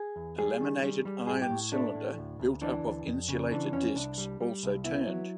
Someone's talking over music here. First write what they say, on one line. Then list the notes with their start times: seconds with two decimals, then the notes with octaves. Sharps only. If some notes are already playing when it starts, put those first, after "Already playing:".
A laminated iron cylinder built up of insulated disks also turned.
Already playing: G#4
0.16 E2
0.38 G3 G#4
0.60 D#3
0.82 G3
1.05 G3
1.27 A2 G#4
1.42 G4
1.50 A2
1.72 A3 D4
1.95 A2
2.18 D2
2.39 D2
2.61 E3 D4
2.83 D2
3.06 F2
3.28 C#3
3.51 E3 D4
3.73 F2 C#4
3.95 C2 D4
4.18 G3
4.41 G3
4.63 C2
4.84 B3 E4
5.07 F#3